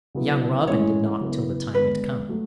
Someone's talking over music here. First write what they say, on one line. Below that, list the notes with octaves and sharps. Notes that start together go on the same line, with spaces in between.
Young Robin did not till the time had come.
C#3 F#3 B3 E4
A2 E3 G#3 C#4 E4 C#5
C#3 F#3 B3 E4 B4
D3 G#3 B3 B4
F#3 A3